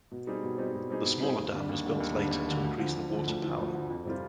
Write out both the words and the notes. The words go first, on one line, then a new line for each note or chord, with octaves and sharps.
The smaller dam was built later to increase the water power.
B2
G3 C4 D#4 G#4
B2
G3 C4 D#4 G#4
B2
G3 C4 D#4 G#4
B2
G3 C4 D#4 G#4
D#2
D3 G3 D4
D#2
D3 G3 D4
D#2
D3 G3 D4
D#2
D3 G3 D4
D2
D3 F3
D2
F3
D3
D2
D3 F3
D2
D3 F3
F2
C3 G3 C4 F4